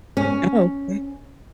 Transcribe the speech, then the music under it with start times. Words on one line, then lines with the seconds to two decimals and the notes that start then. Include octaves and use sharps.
Oh. Mm.
0.17 C#4